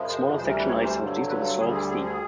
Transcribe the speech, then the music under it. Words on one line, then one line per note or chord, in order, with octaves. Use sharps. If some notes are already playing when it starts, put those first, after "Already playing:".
A smaller section lies southeast of Sault Ste.
Already playing: F#2 C#3 F3 G#3
C5
D2 C3 E3 G3 C5
A#4
B4
C#5
C5
G2 D3 F#3
B4
A4
D2 D3 G3 G#4
G#4
G#4
G#4